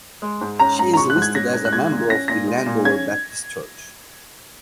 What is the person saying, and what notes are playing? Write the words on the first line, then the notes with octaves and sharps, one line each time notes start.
She is listed as a member of the Landover Baptist Church.
G#3
G#2
C#4 A#5
G#2 A#5
A#5
G#3 C#6
F#6
G#2
G#6
C#4 A#6
G#2
F#6
G#3 G#6
A#2
C#4 A#6
A#2 A#6
G#3
A#2
C#4 G#6